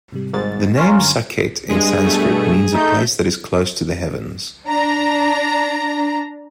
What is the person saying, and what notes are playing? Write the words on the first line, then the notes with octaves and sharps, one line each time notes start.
The name Saket in Sanskrit means a place that is close to the heavens.
G#2 C3 G3
G#1 G#2 G3 A6
C#4 F4 A#4
F#2 D3 F#3
G2 G#3 G#4
B2 A3
A3 D#4 G6
D4 A#5